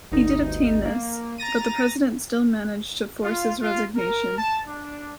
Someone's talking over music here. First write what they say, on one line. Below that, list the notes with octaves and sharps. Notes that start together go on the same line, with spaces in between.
He did obtain this, but the President still managed to force his resignation.
G1 D2 D#4
A#3
A#5 A6 A#6 D#7
F4
F4
A#4
A5
D4